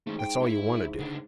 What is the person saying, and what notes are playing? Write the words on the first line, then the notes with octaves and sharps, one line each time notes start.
"That's all you want to do."
G#2 E3 A3
G5
E4 E5
C#2 D3